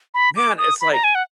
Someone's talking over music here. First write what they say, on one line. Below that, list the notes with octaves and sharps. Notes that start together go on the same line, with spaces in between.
man, it's like
B5
D6
D#6
B5
A#5
G#5
F#5